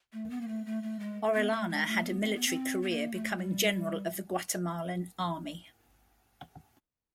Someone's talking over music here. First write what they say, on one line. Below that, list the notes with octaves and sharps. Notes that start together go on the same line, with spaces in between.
Orellana had a military career becoming General of the Guatemalan Army.
A3
B3
A#3
A3
A3
A3
G#3
B3
A3
G#3
A3
B3
C4
B3
C4
B3
A#3
A3
G3